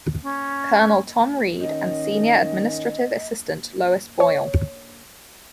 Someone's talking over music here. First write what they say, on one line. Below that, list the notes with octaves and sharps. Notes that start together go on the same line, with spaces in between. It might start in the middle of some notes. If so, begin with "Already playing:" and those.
Colonel Tom Reid and Senior Administrative Assistant Lois Boyle.
C#4
D#3 C#4 D#5
C#5